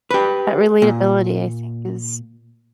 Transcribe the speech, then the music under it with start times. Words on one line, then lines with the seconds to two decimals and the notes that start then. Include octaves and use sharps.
That relatability, I think, is
0.11 G4 B4
0.82 A#2